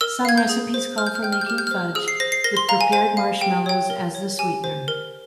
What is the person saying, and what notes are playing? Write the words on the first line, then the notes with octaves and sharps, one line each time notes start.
Some recipes call for making fudge with prepared marshmallows as the sweetener.
A#4 E6
F5 G#6
G6
G#4
C5
C5 F6
G6
F6
G5 G6
F6
G6
G4 F6
G6
F6
C5
G#4 E6
C7
C5 A#6
C7
A#4 A#6
C6
F5 A#5
G#5
C5 G#5
F5
G4 G5
C#5 G5
A#4
C#5
G4 G#5
C5
A#4